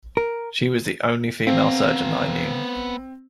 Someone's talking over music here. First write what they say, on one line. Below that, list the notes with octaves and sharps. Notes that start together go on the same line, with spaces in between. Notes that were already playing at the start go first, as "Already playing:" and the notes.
She was the only female surgeon that I knew.
A#4
B3 C4 F5